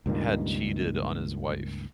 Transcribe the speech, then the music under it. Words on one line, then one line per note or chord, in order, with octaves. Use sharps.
had cheated on his wife.
C#2 G2 A#2 D#3